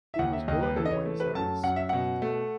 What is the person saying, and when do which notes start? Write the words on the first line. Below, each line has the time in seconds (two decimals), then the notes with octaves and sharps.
He was born in Buenos Aires.
0.14 E5
0.19 D#2 F#5
0.33 E5
0.48 D#2 D#5
0.63 B4
0.76 E3 A4
0.86 D#5
0.91 C#5
1.06 A3
1.20 B4
1.35 F#2 A5
1.63 F#2 F#5
1.76 E5
1.89 B2 F#5
2.22 A3